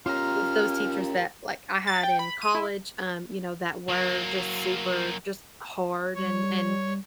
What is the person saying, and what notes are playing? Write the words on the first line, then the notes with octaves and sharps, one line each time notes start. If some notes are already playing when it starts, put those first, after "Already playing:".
those those teachers that, like, I had in college, um, you know, that were just super just, hard and and
C#4 F4 G4 A#4 A#5 F6
A6
G5
B5
D#7
E4
F#3 A#3
G3 C#5